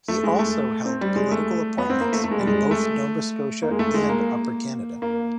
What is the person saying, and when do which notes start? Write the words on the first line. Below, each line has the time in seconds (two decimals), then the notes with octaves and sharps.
He also held political appointments in both Nova Scotia and Upper Canada.
0.08 A3
0.24 G#3
0.39 A3
0.85 C4
1.01 G3
1.16 G#3
1.31 A3
1.78 B3
1.89 C4
2.01 A#3
2.13 A3
2.24 A3
2.31 G#3
2.40 G3
2.47 G#3
2.71 A3
3.63 A#3
3.71 G#3
3.79 A3
3.94 G#3
4.09 A#3
5.02 A#3